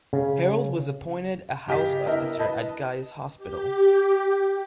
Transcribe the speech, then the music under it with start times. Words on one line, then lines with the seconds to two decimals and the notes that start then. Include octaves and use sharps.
Harold was appointed a House Officer at Guy's Hospital.
0.13 C#3
1.68 C#3 G4 D#5 G5 B6
2.06 B3 D4 E4 A#4 D#5
2.39 B4 D#5 A5
3.37 G4